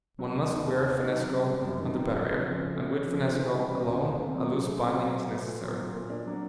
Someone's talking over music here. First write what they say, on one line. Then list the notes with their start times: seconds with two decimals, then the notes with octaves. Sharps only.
One must wear finnesko on the Barrier, and with finnesko alone a loose binding is necessary.
0.19 F#3
0.34 D#2
0.50 D#3
0.66 D#2
0.83 B3
0.98 D#4
1.14 F#3
1.30 C#3
1.46 G3
1.62 F#2
1.79 D#3
1.95 F#2
2.10 G#3
2.26 C#3
2.42 F3
2.58 C#3
2.74 A3
2.91 C#4
3.06 F3
3.22 C#3
3.38 E3
3.54 G3
3.70 C#3
3.86 D#2
4.02 A3
4.18 C4
4.34 F#3
4.50 C#3
4.66 A3
4.82 C4
4.98 F#3
5.14 B2
5.30 A3
5.46 A#2
5.62 F#3
5.78 A#2
5.93 A#3
6.10 D4
6.26 F#3